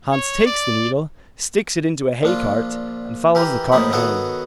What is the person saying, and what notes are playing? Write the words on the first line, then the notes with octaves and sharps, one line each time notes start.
Hans takes the needle, sticks it into a hay-cart, and follows the cart home.
C#5
D5
A#1 D4 F4
E3 G4 A#4
A1 A2 F3 A#3 D#4 B5
D#3 B3 F#4 A4 C#5